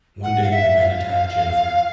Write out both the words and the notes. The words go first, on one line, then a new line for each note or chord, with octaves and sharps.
One day, the men attack Jennifer.
F#5
F5
E5
F5